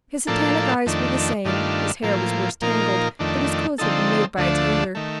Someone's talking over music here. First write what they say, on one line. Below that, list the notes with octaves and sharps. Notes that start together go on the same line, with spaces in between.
His satanic eyes were the same, his hair was worse tangled, but his clothes had been made by a tailor.
A2 F3 A#3 D4 A4
F2 D#3 A3 D4
G2 D#3 A3 D4 F4
A2 F3 A#3
A#2 F3 A#3 D#4 A#4
F2 D#3 A3 D4
D3 F3 C4 D#4 A4
D2 D3 F3 A3 D4
D#3 A3